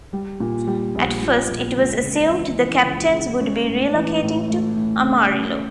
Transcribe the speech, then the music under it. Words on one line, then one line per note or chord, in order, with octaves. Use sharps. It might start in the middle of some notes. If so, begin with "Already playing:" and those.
At first it was assumed the Captains would be relocating to Amarillo.
G3
A#2
G3
A#1
A#2
A#1
C#2
C#2
E3
E3
C#2
G#3
C#4
A2
E3
A2
A3
A2
C#3
C#3